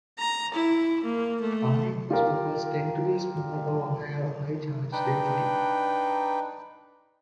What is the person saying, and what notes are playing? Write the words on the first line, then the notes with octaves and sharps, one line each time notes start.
Ionic kosmotropes tend to be small or have high charge density.
A#5
E4
A#3
A3
F4 G4 A#4 F5
D4 D#4 B4 G5